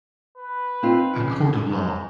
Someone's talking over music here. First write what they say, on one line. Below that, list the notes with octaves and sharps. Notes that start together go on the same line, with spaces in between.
A court of law.
B4
C4 D#4 F4
F2 C#3
G#2